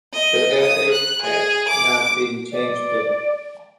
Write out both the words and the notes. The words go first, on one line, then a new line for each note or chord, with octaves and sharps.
The air dates have not been changed.
D#5
D#6
F#6
G#4
D6
D5